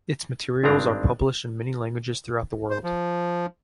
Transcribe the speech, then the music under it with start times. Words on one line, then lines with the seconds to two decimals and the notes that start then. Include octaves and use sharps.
Its materials are published in many languages throughout the world.
0.63 G#1 G2 G#3 C4 D4 A#5
2.70 C5
2.84 F3